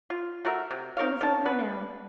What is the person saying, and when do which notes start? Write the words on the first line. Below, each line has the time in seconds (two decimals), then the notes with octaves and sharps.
It was over now.
0.10 F4
0.45 A3 F#4 A#4 E5
0.71 C3
0.97 D#4 A#4 C#5 F5
1.21 D#3 A5
1.45 B3 B4